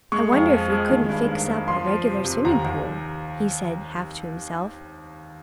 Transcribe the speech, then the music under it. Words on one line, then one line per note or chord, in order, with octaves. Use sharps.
"I wonder if we couldn't fix up a regular swimming pool," he said, half to himself.
G#3 C#6
F2
F3
G#3
D#3
G2
A#3
A#3
F3 C6
F3
C3
C3
D#2 A#5
D#2